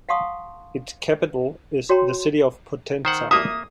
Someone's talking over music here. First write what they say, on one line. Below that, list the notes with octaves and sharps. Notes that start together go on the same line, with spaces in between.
Its capital is the city of Potenza.
F5 F#5 A5 C6 C#6 D#6
F#4 C#5 G5 A#5 C6
D#3 C5 F#5
A#3 E5 D#6